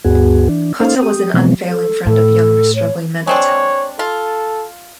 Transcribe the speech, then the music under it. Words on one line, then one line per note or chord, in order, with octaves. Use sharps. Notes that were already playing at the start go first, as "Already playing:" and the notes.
Cotta was an unfailing friend of young struggling men of talent.
D2 G2 B3 F#4 G#4
E3 D4
A#3 C#4 D#4 A4 C5 F5
G4 D#6
B2 E3 F3 G#3 B3 C4
A4
A2 A4
C#5
G#3 C4 D4 C#5
F4 A4